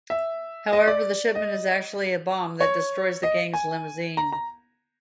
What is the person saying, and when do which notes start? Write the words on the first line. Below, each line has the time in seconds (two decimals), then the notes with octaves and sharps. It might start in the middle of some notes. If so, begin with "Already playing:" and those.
However, the shipment is actually a bomb that destroys the gang's limousine.
0.10 E5
0.73 D#5
0.88 D5
1.35 D#5
2.61 C#5
3.23 D#5
3.54 G#5
4.17 A#5
4.32 A#5